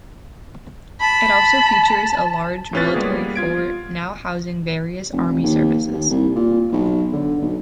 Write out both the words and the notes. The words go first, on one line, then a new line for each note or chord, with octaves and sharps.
It also features a large military fort, now housing various army services.
A5 B5
A2 C3 C#4 F4 B4 A6
G3 G#3 A#3 B3 G#4
F4 G#6 D7
F1
D#2
D#2
C2
A#2
B1
D3
B1